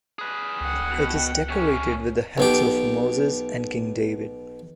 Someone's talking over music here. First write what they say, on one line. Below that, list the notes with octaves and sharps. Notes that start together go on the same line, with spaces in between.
It is decorated with the heads of Moses and King David.
G#4 B4
C#2 F#5 G5
B2
C3 C#4
B1 B2 G4